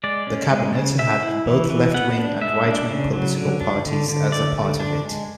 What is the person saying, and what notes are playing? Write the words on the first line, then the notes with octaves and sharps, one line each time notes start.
The cabinet had both left-wing and right-wing political parties as a part of it.
G#3 D5
C#4
G#3
C#3
G#3 E5
E4
E3
E3
B3 F#5
D4
G#3 E5
D4
C#3
F#3
D3
D4
D3
D3
A3 D5
D3
D4
G#3